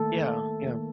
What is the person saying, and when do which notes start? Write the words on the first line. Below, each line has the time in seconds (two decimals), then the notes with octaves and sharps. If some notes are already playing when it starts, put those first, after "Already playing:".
Yeah. Yeah.
Already playing: D#3 A3 A#3 A4
0.64 D#3 A#3